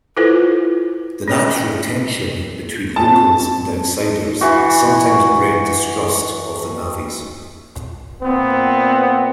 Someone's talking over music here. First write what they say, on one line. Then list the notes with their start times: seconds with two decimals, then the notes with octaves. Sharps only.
The natural tension between locals and outsiders sometimes bred distrust of the navvies.
0.17 E4 F4 A4 B4 C5
1.28 C#4 C#5 G5
2.96 A5
3.09 C4
4.41 E3 F#4
8.22 A#2 B3 C4